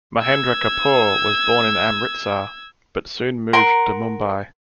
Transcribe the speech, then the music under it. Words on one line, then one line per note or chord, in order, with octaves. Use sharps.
Mahendra Kapoor was born in Amritsar, but soon moved to Mumbai.
E6 G#6
A#4 F#5 A#5 C6